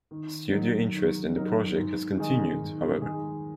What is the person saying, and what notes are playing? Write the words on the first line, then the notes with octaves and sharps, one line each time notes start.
Studio interest in the project has continued, however.
D#3
F#3 D#4 A#4
D#3
F#3 D#4 A#4
G#2
D#3 G#3 D#4 G#4
G#2
D#3 G#3 D#4 G#4